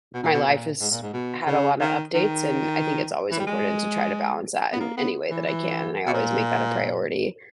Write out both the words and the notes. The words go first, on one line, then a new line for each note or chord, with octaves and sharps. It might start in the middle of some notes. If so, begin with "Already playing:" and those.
my life has had a lottta updates and I think it's always important to try to balance that in any way that I can and I always make that a priority,
B2
A#2
B2
A#2
G#2
A#2
G#2
B2
C#3
D#3
D#3
E3
G3
G#3
B3
A#3
B3
E3
E3
B2
A#2